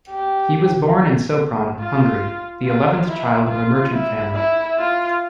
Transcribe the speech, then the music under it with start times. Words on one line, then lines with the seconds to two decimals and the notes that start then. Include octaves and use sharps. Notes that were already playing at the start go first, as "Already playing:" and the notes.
He was born in Sopron, Hungary, the eleventh child of a merchant family.
0.10 G4
1.80 F4
2.65 F4
3.08 E4
3.50 F4
3.93 E4
4.35 E4
4.78 F4